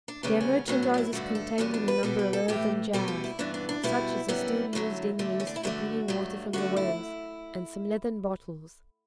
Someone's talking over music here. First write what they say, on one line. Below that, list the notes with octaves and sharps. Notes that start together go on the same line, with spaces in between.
Their merchandise is contained in a number of earthen jars, such as are still used in the East for bringing water from the wells, and some leathern bottles.
D4
D2 C#3 G3 B3 C#4
C#4
A2 F#3 B3 C#4
D4
D4
E4
G2 D3 A3 F#4
A4
E2 B2 G3 B3 C#4
D4
B4
B2 G3 B3 A4
B4
A4
A2 E3 A3 G4
B2 G3 B3 A4
A4
E4
G2 E3 B3 D4
D4
D4
B2 G3 B3 E4
F#2 D3 G3 B3
F#2 D3 F#3 A3
E2 D3 A3
C#4
D4
E4
G2 D3 A3 F#4
G2 F#3 A3
F#2 D3 A3 F#4
E4